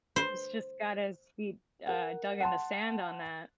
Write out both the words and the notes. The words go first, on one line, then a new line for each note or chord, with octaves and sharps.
He's just got his feet, uh, dug in the sand on that.
C5
A#4 F#5
F#5 A5 C6